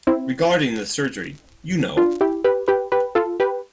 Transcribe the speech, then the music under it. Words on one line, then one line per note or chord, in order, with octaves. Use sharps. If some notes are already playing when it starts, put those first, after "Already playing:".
Regarding the surgery, you know.
C4 E4
D4 F4
E4 G4
G4 B4
G4 B4
G4 B4
F4 A4
G4 B4